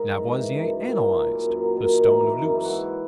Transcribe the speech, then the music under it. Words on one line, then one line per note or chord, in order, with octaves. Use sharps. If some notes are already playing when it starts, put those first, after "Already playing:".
Lavoisier analyzed the stone of Luce.
Already playing: G#2 A#4
E3
E3
E3
F#2
E3
A#2 B4
F#3
F#3
A#2
F#2
F#3
D#3
F#2
E3 D#4
E3
F#2
E3
F#4
G#2 E4